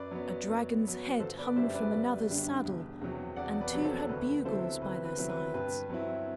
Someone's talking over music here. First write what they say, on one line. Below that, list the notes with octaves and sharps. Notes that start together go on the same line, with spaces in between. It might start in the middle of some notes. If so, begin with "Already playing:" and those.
A dragon's head hung from another's saddle, and two had bugles by their sides.
Already playing: F#2 B4 D5
F#3 B3
F#2
F#3 B3
G1 A4 C5
B4 D5
F#2 D3 G3 D4 C5 E5
B4 D5
G1
F#2 D3 G3 D4
E1
E2 C3 F#3
E1 D5 F#5
B4 D5
E2 C3 F#3
A4 C5
A4
D2 B4
C3 F#3 C4 E4 A4 C5
D2 B4
B4
C3 F#3 C4 E4
B4
G2 B4
F#3 C4 E4